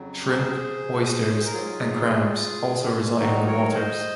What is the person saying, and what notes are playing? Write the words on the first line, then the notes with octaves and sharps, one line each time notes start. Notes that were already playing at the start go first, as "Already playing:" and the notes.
Shrimp, Oysters and crabs also reside in the waters.
Already playing: F2 C#3 F#3
G#4 C5
C#5
C5
A#4
G#2 F#3 F4 G#4
G#2 D#3 F#3 D#4 F#4
A#4 C#5
C5 D#5